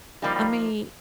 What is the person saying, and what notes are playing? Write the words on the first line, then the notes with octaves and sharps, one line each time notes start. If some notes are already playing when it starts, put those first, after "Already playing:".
I mean,
F3 G3 A#3 D#4
G3